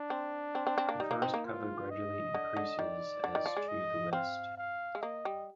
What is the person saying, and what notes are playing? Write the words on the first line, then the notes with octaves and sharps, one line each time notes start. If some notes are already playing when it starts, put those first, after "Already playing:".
The forest cover gradually increases as to the west.
Already playing: D4
C4
C4
C4
C4
A#3
G3 D#4
A#3
C4
A#3
F4
D#5
D3
D3
D#3 D5
D3
D#3
F3
G#3
D#5
C4 F5
F5
G#3
A#3 D#5
G3